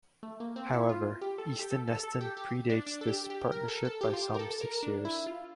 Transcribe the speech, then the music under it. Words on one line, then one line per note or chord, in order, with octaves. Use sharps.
However, Easton Neston predates this partnership by some six years.
A3
A#3
C4
E4
F4
G4
A4
G4
A4
A4
A4
G4
G4
D4
D4
A4
G4
G4
A#4
A4
A4
G4
F4
G4
A#4
A4
A4
A#4
D4
E4
F4